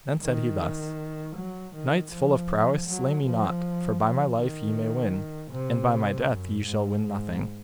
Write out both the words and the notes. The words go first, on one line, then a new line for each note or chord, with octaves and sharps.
Then said he thus: Knights full of prowess, slay me not, for by my life ye may win, and by my death ye shall win nothing.
D#3
F#3
D#3
F3
F#3
F3
F3
D#3
C3
F#2
G#2
G#2